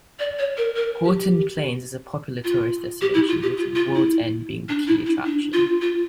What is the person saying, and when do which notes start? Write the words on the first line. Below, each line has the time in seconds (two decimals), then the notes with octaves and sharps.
Horton Plains is a popular tourist destination, with World's End being the key attraction.
0.19 D5
0.39 C#5
0.57 A#4
0.76 A#4
1.04 G4
2.44 F4
3.01 G4
3.14 E4
3.28 F4
3.42 G4
3.57 F4
3.75 F4
3.95 E4
4.69 D4
4.87 E4
5.06 E4
5.25 D4
5.53 F4
5.81 F4